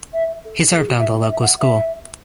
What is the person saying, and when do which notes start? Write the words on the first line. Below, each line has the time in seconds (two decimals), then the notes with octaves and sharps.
He served on the local school.
0.13 E5
0.45 A4
0.71 A4
0.78 G#4
0.88 F#4
0.99 E5
1.21 E5
1.32 E5
1.42 F#5
1.59 E5